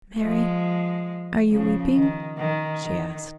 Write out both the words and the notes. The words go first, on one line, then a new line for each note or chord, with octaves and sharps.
"Mary, are you weeping?" she asked.
F3 G#3
C#3 F3
D#3
D#3
D#3